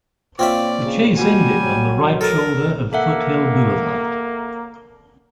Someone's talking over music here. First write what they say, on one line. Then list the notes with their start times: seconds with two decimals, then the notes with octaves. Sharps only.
The chase ended on the right shoulder of Foothill Boulevard.
0.39 A#2 C4 C#4 F4 D5 E5
0.85 C#3
1.16 G3 F#4 G#5
1.61 F#3
2.21 A4 A#4 A5
2.93 A#3 A4 E5 F#5